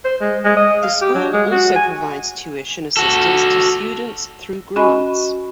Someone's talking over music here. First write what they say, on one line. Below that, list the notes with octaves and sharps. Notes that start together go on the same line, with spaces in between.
The school also provides tuition assistance to students through grants.
C5
G#3
G#3
D#5
F5
G4
F#3
G#3
F#4
G#5
F#4 A4
C#4 F#4 D#5 G#5 B5 C#6